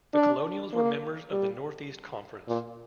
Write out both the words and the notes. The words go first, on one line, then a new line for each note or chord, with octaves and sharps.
The Colonials were members of the Northeast Conference.
D4
A#3
G3
A#2